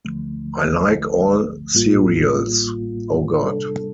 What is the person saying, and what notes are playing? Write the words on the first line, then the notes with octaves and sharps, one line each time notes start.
I like all cereals... Oh, God.
D2 D3 F3 A3
A1 A2 G3 A#3 F4
C3 G3 D4 A4